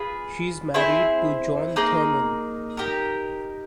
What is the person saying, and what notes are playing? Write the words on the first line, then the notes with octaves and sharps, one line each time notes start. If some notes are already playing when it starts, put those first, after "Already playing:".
She is married to John Thurman.
Already playing: F4 G#4 B4
C4 E4 G#4 C5
A#3 D#4 G#4
D#4 G4 A#4